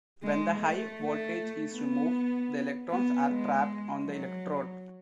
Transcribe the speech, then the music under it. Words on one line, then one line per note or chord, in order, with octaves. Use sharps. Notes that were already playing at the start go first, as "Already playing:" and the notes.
When the high voltage is removed, the electrons are trapped on the electrode.
G#3
A3
A3
B3
B3
G#3
F#3